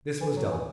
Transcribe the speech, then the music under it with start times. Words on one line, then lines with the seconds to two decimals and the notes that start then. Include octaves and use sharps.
This was done.
0.21 E3
0.36 F#3
0.51 E3